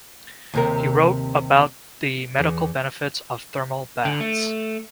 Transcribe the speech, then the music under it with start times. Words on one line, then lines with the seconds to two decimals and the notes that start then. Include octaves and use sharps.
He wrote about the medical benefits of thermal baths.
0.54 D#2 C3 A#4
2.38 E2
4.05 D3
4.20 A3